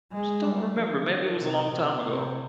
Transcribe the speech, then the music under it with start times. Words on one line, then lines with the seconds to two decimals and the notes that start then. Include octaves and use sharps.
just don't remember, maybe it was a long time ago?
0.12 G#3
0.44 G3
0.76 F3
1.07 D#3
1.39 C3
1.71 C3
2.03 C3